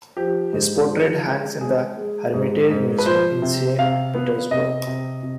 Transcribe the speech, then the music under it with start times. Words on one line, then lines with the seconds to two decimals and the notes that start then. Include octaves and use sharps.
His portrait hangs in the Hermitage Museum in Saint Petersburg.
0.17 F3 G4
0.53 G#2
0.89 F3
1.25 G#3
1.61 G#3 G#4
1.97 G#3
2.34 G#2
2.70 G#2
2.98 B4
3.06 F3 C5
3.42 C3
3.79 C3 F5
4.14 B3
4.51 C3 D#5
4.87 C3
5.23 C3